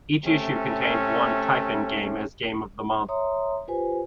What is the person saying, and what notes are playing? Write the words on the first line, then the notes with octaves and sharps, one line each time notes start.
Each issue contained one type-in game as Game of the Month.
C3 A3 C#4
C#5 E5 A#5 C6 D#6
F4 G4 B4 C5 G#5